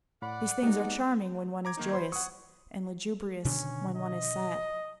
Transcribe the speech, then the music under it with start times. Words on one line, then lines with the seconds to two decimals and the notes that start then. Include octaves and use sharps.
These things are charming when one is joyous, and lugubrious when one is sad.
0.22 A2 D5 F#5 B5
0.63 G#3 B3 D#4 G4
1.65 A#5 D6 G#6
1.77 D#3 A#3 D#4
1.93 C5 B5 C6
2.12 F#5 C#6 D#6
3.45 B2 D3 D#3 C#4
3.95 D#5